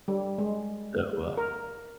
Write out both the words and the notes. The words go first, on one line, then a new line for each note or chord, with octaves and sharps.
So, uh,
G3
G#3
A#4